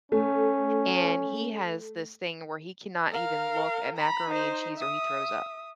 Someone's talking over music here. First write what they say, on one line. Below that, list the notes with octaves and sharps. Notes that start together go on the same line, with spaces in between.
And he has this thing where he cannot even look at macaroni and cheese or he throws up.
A3 C#4
A#4 F5
A#5 B5
D#4 C5
E5 D#6